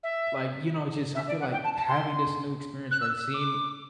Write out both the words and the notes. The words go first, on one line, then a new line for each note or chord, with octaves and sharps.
like, you know, just I feel like having this new experience, right? Seeing
E5
E5
D5
F#5
G5
A5
A5
C6
F#6
E6
E6
D6